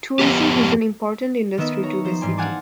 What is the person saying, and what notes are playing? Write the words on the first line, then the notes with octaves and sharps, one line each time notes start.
Tourism is an important industry to the city.
F2 E3 B3 G4
D#3 B3 D#5 E5 E7
C#5 A#5
F3 C5
G#2 E3 G3 D5 G#5 C6
F5 F#5 G#5 A5 D6